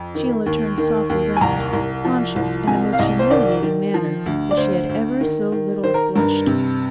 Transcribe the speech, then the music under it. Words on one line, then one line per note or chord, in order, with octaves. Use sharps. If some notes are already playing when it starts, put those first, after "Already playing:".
Sheila turned softly round, conscious in a most humiliating manner that she had ever so little flushed.
Already playing: F2
D#3
D#2
D#3
D#2
G#5
C2 A#5
C2
F3
C2
C3 G#5
F5
C2 D#5
C5
D#3 D5
D#3
F3
D2
D5
D2 C5
D2
D#3
D#3
D#3 C5
A#4
G2 A#4
C3